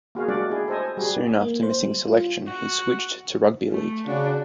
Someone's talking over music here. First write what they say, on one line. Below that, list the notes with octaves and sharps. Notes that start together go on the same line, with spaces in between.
Soon after missing selection he switched to rugby league.
A#3 F#4 G#4 F5
G3 G#3 D4 F#4 D5
E4 G#4
A4 C5 D#5 G#5
G3 F#4 G#4
A#3
C5
G3
F4
F#4
A3
C#3 D4 F#4